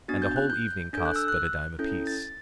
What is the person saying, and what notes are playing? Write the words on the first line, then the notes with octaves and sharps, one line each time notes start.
And a whole evening costs but a dime apiece.
B3 D4 F#4 A6
G6
F#6
G6
D4 A4 G6
F#6
E6
F#6
C#4 E4 A4 G6
A6